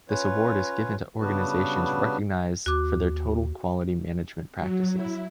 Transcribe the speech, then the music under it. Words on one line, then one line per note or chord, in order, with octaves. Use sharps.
This award is given to organizations recognized for their total quality management practices.
C#4 F4 B4 C#5
C#3 G3 B3 D4 F#4 B4
D#2 F#4 D6
F#3
E4